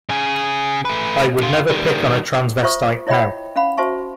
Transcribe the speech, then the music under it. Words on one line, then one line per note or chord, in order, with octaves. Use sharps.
I would never pick on a transvestite now.
C#3 G#4
A3 B4
D3 F4
D#3 G3
F4 C5 E5 C#6 D#6
E4 C#5 D#5 E5 G5 B5
C#4 F5 F#5 B5
F#4 C5 E5 A5 C#6